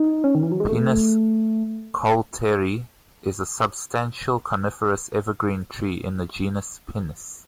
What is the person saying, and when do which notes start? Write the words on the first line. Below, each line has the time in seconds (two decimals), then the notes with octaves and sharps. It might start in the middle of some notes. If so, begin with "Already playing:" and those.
"Pinus coulteri" is a substantial coniferous evergreen tree in the genus "Pinus".
Already playing: D#4
0.24 C#4
0.35 D#3
0.43 E3
0.52 F#3
0.60 G#3
0.69 A3